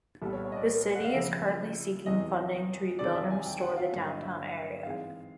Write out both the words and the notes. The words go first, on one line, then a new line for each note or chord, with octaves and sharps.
The city is currently seeking funding to rebuild and restore the downtown area.
C2 A#2 G3 B3 A4
C#5
C#5
D#5
D5
F#5
F5
F2 C#3 F3 A#3 E5
E2 C3 E3 D#5
E2 C3 D#3 G#3 D5
E5
G#5
G5
F#5
F5
G2 D3 F#3 A#3
D#5
E5
G#2 E3 G#3 C4 F5